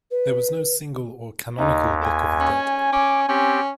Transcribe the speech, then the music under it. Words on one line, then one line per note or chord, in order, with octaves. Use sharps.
There was no single or canonical "Book of the Dead".
B4
D#2 D#4
G#5
C#4
C#4 D6
C4 C#4 G4